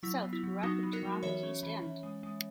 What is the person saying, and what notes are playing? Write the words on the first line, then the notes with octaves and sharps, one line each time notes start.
South grew up in Toronto's East End.
F#3 E4
B3
E4
F#3
F#3 D#4 F#4
B3
F#4 A#4
F#3
E3 C#5 E5
C#4
E3
E3
G#3
G#3